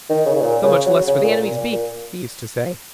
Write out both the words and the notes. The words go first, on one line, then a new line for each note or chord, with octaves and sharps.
So much less for the enemy's beak, he used to say.
D#3
C#3
C#3
A#2
C#3
F#3
C#3
A#2
A#2
A#2
A#2